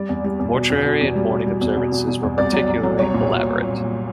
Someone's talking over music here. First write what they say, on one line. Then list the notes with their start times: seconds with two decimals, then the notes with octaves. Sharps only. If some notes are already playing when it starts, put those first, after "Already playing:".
Mortuary and mourning observances were particularly elaborate.
Already playing: G3 D5
0.09 E2
0.24 G3
0.39 E2
0.55 B2
0.70 E2
0.85 B2
1.01 E2
1.16 G3
1.31 B2
1.46 G3
1.61 E2
1.77 B2
1.92 B2
2.07 B2
2.23 E2
2.38 C2 D5
2.53 F#3
2.68 C2
2.83 F#3
2.99 C2 C#5
3.14 A#2